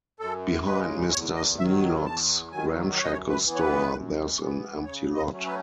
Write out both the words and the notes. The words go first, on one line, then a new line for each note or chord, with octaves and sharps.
Behind Mr. Sneelock's ramshackle store, there's an empty lot.
F#2 A4
C#3 G#3 B4
E2 C#5
D#5
D#3 F#3 E5
E2 A5
D#3 F#3 G#5
F#2 C#5
D#5
C#5
B4
E3 B3
C#5
B4
F#2
E3 B3
C#3 C#5
D#5
F#3 A3 C#4
B4